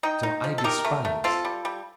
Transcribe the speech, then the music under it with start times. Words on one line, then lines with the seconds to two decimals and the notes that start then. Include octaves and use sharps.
So I despise.
0.03 D#4 D#5 G5
0.23 D#4
0.44 F3
0.58 A4
0.64 D#4 G4 A#4
0.84 A3
1.05 A3
1.24 C4 F4 A4
1.45 G3
1.65 G3